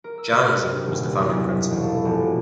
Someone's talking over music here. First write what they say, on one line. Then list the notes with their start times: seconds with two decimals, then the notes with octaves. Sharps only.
Jann Eason was the founding Principal.
0.04 A#4
0.18 E6
0.32 C3
0.70 G2
0.87 D#1
1.17 E2
1.32 B1
1.50 E5
1.71 E1
1.83 A4
2.05 F1
2.20 B2